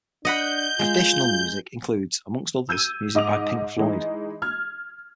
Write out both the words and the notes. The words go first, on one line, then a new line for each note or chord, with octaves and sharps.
Additional music includes, amongst others, music by Pink Floyd.
D4 D#5 F#5 B5 G6
G#3 F4
E6 G6 G#6 D#7
G#2 D#5 D6 F7
E3 G#3 D#4
F6 G#6